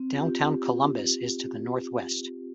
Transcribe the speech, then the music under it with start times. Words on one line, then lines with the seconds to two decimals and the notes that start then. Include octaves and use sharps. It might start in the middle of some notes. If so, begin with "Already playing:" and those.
Downtown Columbus is to the northwest.
Already playing: C4
0.14 F4
0.19 G4
0.46 G4